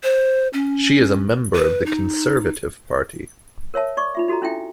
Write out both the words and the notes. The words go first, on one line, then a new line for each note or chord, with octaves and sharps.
She is a member of the Conservative Party.
C5
C#4
B4
D#4
A#4 C#5 E5 A5
D5 C#6 D6
D#4 F4 E5
D#4 F#4 A4 D#5 A#5
C#4 D4 E4 A4 E5 G5